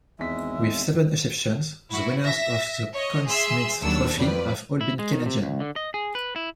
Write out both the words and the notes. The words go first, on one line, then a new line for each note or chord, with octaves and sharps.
With seven exceptions, the winners of the Conn Smythe Trophy have all been Canadian.
G#1 E2 G#3 E5 B6
E4 F#4
E5 A#6
C#5 D#5
G#4 E5 C6 E6
D#2 F#3 D4 E6
F2 B4 D5
E4
G#3
D#3
C3
C#2
D3
D#5
G#4
B4
E4